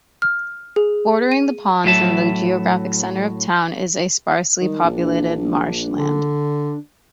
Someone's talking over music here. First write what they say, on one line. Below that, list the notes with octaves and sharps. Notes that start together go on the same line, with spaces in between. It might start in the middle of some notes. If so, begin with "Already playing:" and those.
Bordering the ponds, in the geographic center of town, is a sparsely populated marshland.
F6
G#4
D#7
A2 F#3 E5 A5
D#3 G3
A#1 D4
D3